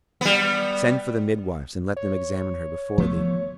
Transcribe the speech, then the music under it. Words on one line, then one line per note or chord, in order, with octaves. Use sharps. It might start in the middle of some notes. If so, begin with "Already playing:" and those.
Send for the midwives and let them examine her before thee.
G3 B3
C#5
F3 A3 B3